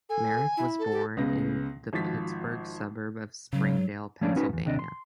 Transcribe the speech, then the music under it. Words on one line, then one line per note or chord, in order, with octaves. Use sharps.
Merrick was born in the Pittsburgh suburb of Springdale, Pennsylvania.
A4 G#5
E4
A4
G4
C#2 C#3 B3 A#6
G#1 F3 F#4 A6 B6
C#3 F#3
F3 A3 C#4 D4 D5
C#4 D#4 F#4 B4
E2 G2
D#2 C3 D4 D#5
C6